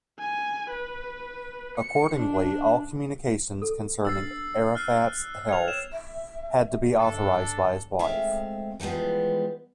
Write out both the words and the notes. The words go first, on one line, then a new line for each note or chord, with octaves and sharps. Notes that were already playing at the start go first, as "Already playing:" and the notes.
Accordingly, all communications concerning Arafat's health had to be authorized by his wife.
G#5
B4
C#7
D4
A4
D4 B4 E6 A6 C7
F6 F#6 C7
B4 G5 G#6 F7
C#5 E7
E5
G2 D3 D4 A4
G#3 A3 C4 E5 F5
E3 F3 G3 G#3 B3